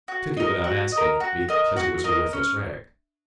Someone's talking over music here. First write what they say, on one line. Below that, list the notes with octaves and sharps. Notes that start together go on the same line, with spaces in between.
I took it without asking, because it was a worthless rag.
F#4
A#4 D#5
F#4
D#5
A#4
F#4
A#4 D#5
F#4
A#4 D#5
C#4